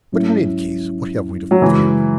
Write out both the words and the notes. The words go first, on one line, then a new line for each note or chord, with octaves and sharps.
But in any case what have we to fear?
G#2 F#3 C#4 E4
F#3
F#2 C#3 E3 G#3